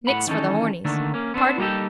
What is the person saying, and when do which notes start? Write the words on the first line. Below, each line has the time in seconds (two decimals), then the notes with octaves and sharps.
Nix for the hornies. Pardon?
0.07 A2 F#5 B5
0.27 D#3 E3 C#4 D#4 A4
0.85 D3 D#3 A3 A#3 D4
1.14 A#3 C#4
1.34 B3 C4 D4 C5
1.58 G3 A#3 B3 D#4 G4 A4